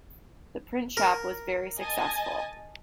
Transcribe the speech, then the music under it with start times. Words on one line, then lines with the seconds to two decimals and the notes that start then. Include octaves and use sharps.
The Print Shop was very successful.
0.97 A#4
1.79 D#5 G#5 A5